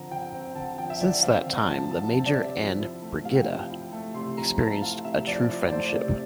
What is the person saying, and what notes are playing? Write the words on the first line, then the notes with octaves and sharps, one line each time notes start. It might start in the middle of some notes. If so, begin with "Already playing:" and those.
Since that time, the Major and Brigitta experienced a true friendship.
Already playing: D3 F3 C4 A#5
D3 G5
C4
D3 A5
F3 G5
E5
D3 D5
C4 F5
D3
F3 A5
D3 A5
C4 A5
D5
C3 E5
F3
E4
A3
C3 F5
G5
F3 F5
E4
A3
C3 C6
F3 A#5
E4 A5
A3 F5
C3 E5
F3 D5
E4
D5
A3 C5
C3 D5